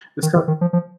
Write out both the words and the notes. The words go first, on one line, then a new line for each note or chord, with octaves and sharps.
it's got
D#3
D#3
D#3
F3
F3